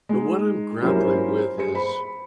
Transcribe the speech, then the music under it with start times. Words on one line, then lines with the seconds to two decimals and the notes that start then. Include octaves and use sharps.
but what I'm grappling with is
0.09 G#3 D#4
0.82 F#3 C#4 E4 G4 A#4 C5
1.58 G#4 C5 C#7
1.75 B5